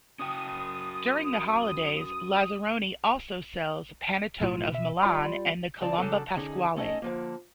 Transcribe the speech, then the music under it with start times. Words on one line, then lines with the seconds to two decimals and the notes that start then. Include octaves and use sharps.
During the holidays, Lazzaroni also sells panettone of Milan and the Colomba Pasquale.
0.19 C#4 F#4 G5 D#6
4.42 B1 A2 F4
4.72 B2 E5
5.03 G3 F4 D5 B5 C6
5.81 G2 C#3 F4 D5 A5
5.98 C#3 F#3 D4 A4
6.37 D3 C#4 D#4 G#4
6.76 A3 C#4 D#4 A4 D#5
7.02 D3 F3 A#3